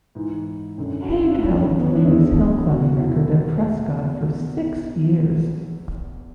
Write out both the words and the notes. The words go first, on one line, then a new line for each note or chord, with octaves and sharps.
Haig held the Ladies’ hillclimb record at Prescott for six years.
G#2 E3
F#2 D3
F#4
E4
D4
G#2 E3 C#4
B3
C#4
D4
E2 D3 E4
E2 B2 F#4
E4